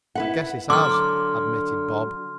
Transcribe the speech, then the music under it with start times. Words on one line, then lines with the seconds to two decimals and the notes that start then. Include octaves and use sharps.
"I guess it has," admitted Bob.
0.15 E4 B4 F#5
0.70 D3 F#3 C6 D6 F6